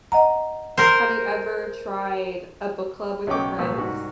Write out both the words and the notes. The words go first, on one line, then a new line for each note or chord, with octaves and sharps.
Have you ever tried a book club with your friends?
D#5 F#5 A#5
A#4 C5
B1 C#4 C#5 D#5 G5 D6
C2 A#2 F3 B4 C#6 E6
C2 G#2 G3 F#4